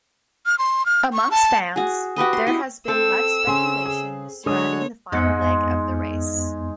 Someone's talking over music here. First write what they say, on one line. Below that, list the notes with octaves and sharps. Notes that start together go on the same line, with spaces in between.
Amongst fans, there has been much speculation surrounding the final leg of the race.
F6
C6
F6
C#6
A5
F#4 G#4
F#4 G4 B4 D#5
C6
E4 D#5
C4 A4 E6
C#3 G#5 C6
G#4
D3 F#3 G#3 C#5 D#6
F2 G#2 G#3 B3 C#7